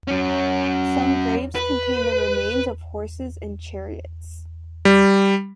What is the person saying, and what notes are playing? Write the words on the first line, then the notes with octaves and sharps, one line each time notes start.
Some graves contain the remains of horses and chariots.
F#3 C#4
B4
G3